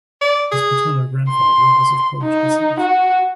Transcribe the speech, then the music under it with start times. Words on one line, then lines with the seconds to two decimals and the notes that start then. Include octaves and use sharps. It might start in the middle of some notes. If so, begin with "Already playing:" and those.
His paternal grandfather was of Polish descent.
0.21 D5
0.51 G#4
1.30 C6
2.23 D#4
2.80 F#4